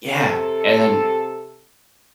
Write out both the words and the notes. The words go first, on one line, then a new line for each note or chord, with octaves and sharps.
Yeah, and then
C3 A4